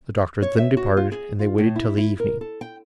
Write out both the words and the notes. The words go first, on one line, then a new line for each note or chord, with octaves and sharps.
The doctor then departed, and they waited till the evening.
C#5
E5
F#4
F4
G#4
F4
A2
E4
E4
A#4
A4
G5